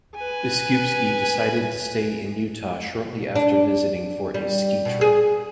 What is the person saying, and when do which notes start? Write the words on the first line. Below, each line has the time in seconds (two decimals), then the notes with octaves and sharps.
Biskupski decided to stay in Utah shortly after visiting for a ski trip.
0.16 B4 G#5
3.35 D4
4.34 G3
4.85 B2
5.01 G#4